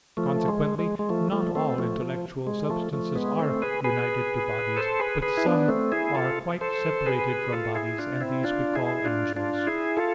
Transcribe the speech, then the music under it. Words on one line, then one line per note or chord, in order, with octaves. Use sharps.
Consequently not all intellectual substances are united to bodies; but some are quite separated from bodies, and these we call angels.
F3 A3
G#3
G#3
G#3
F3 A3
F3 A3
A3 C4
F3 A3
F3
G#3
F3 A3
F3 A3
G#3 B3
A3 C4
G#4 B4
G#4 B4
A4 C5
G#4 B4
G#4 B4
E4
B3 D4
A3 C4
E4 G#4
F4 A4
A4 C5
G#4 B4
F4 A4
E4 G#4
D4 F4
C4 E4
D4 F4
E4 G#4
D4 F4
D4 F4
E4 G#4
F4 A4